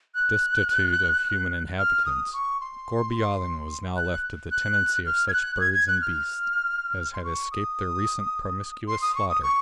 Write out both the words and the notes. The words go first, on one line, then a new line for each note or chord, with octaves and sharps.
Destitute of human inhabitants, Gourbi Island was now left to the tenancy of such birds and beasts as had escaped the recent promiscuous slaughter.
F#6
F6
D#6
C#6
C6
F#6
F#6
F6
G#6
F#6
F#6
G#6
G#6
F#6
F6
C6
C#6
D#6
C6
D#6
C#6
D#6
C#6